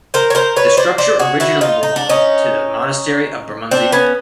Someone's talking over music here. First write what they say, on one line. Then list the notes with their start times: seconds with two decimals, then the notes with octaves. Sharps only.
The structure originally belonged to the Monastery of Bermondsey.
0.14 A#4 C5
0.30 C#5
0.35 A#4 C5
0.56 B4 C#5
0.77 C5 D5
0.98 C5 D5
1.19 F#4 G#4
1.40 E4 F#4
1.61 D#4 F4
1.83 D#4
1.96 D4
2.09 C#4 D#4
3.71 C4 D4
3.93 B3 C#4